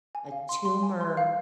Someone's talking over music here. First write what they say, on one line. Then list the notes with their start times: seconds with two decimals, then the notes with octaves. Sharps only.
a tumor
0.15 G#5
0.32 F5
0.49 C6
0.65 C6
0.83 G#5
1.01 C6
1.17 F5